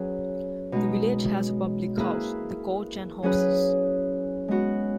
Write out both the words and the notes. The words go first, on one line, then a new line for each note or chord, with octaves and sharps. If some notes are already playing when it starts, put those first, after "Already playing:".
The village has a public house: "The Coach and Horses".
Already playing: F#3 C#4 G#4 B4
B2 G#3 D#4
A#3 E4 G#4 B4
F#3 C#4 G#4 B4
G#3 B3 F#4